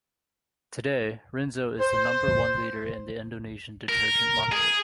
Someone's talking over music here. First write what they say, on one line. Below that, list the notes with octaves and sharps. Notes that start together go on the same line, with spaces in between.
Today, Rinso is the number one leader in the Indonesian detergent market.
C5
A#4
G#4